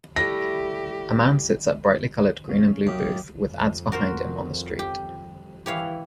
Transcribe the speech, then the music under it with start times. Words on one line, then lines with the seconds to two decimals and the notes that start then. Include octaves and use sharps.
A man sits at brightly colored green and blue booth with ads behind him on the street.
0.16 G3 A3 E4 G4 A#6
2.48 C#3 C#4
2.87 F#2 A#3 D#4 G4
3.47 F2
3.92 F#4 A#4 C5
4.79 G4
5.66 E3 G4 C#5 F5